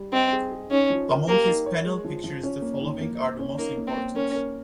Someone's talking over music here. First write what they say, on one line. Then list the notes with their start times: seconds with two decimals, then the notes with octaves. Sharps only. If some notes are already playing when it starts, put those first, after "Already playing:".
Among his panel pictures the following are the most important.
Already playing: G3
0.13 C4 D#5
0.33 G#4
0.52 G#4
0.71 C#4 D#4
0.90 F3
1.09 A#4
1.28 A#3 G4
1.47 D#4
1.66 C#5
1.85 G#3
2.04 F3
2.24 F3
2.43 C#4
2.62 A#3
2.81 D#3
3.01 A#3
3.20 C5
3.39 C#4
3.58 A#3 D#4
3.77 A#3
3.87 C4
3.97 A#3
4.16 C#4 A#4
4.35 A#4